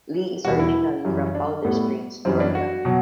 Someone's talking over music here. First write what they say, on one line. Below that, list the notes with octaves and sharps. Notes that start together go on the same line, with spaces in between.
Lee is originally from Powder Springs, Georgia.
E2 B2 G3 F#4
E4
F#2 E3 G3
D4
A2 G3 B3
F#2 E3 G3 C4
D4
F#4
B2 F#3